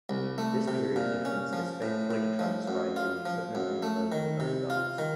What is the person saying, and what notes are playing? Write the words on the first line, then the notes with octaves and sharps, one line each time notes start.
This period difference is faithfully transcribed in the equipment and clothing of the guards.
C2
A3
C3
A#2
C#4
F3
A2
A2
F3
F#2
F4
F3
F#2
A3
D#3
C3
F4
D#3